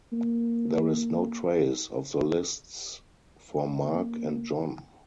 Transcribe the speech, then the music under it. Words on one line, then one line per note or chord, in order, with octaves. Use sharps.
There is no trace of the lists for Mark and John.
A#3
A#3